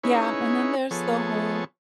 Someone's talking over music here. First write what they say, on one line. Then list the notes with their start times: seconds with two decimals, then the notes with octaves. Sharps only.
Yeah, and then there's the whole
0.03 C#4 D#4 E4 G#4 B4 C#5
0.91 F3 B3 G#4 A4 C#5